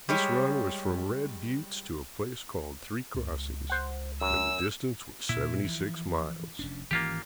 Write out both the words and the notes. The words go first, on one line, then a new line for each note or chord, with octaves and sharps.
This run was from Red Buttes to a place called Three Crossings, and the distance was seventy-six miles.
G3 G#3 C#5
C#2
C5 F#5
F#2 E6
A#2 E4
E3 F3
F1 C#4 D4
G#1 E3 A#3 C#4 F4 G4